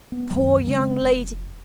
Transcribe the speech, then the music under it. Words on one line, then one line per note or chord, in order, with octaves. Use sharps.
'Poor young lady!
B3
C2 F#2 D#3 F#3
C#3 G#3 C4 C#4
F1